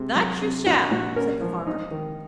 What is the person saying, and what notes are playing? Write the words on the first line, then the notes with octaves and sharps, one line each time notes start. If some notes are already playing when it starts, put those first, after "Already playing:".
'That you shall,' said the farmer.
Already playing: C3 G#3
F#3
C3
A#1 F#4
A#2 F#4
C#4 A#4
F3
D#4
D#3